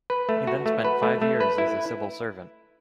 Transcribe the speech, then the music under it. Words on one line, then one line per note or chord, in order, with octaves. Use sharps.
He then spent five years as a civil servant.
B4
A3
F#4
A3
B4
A3
A3
B4
E4